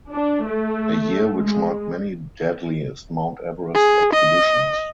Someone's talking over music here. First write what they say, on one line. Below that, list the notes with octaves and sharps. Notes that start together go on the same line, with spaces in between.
A year which marked many deadliest Mount Everest expeditions.
D4
A3
G#3
G#4
D#5